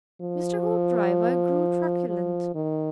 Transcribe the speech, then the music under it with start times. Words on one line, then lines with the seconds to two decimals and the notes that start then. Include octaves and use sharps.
Mr. Hoopdriver grew truculent.
0.22 F3
2.09 F3
2.55 D#3